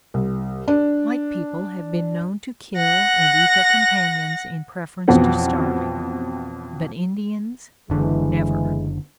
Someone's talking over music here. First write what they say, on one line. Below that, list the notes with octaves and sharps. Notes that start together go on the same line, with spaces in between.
White people have been known to kill and eat their companions in preference to starving; but Indians--never!
C2
D4
F#5 A#6
A1 F2 B2 B3 C4 F#5
F#1 D3 E3 G#3